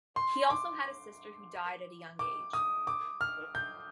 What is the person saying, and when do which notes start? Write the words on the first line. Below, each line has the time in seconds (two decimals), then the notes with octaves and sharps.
He also had a sister who died at a young age.
0.16 C6
0.50 D6
2.19 D6
2.53 D#6
2.87 D6
3.21 F6
3.55 G6